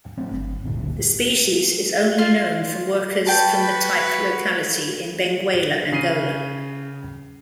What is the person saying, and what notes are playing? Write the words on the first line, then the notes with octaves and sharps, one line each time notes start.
The species is only known from workers from the type locality in Benguela, Angola.
F#3 A3 C4
G1
G1 D2 A#2
F4
F#4 B4 G5 A5
C#3 C7 D#7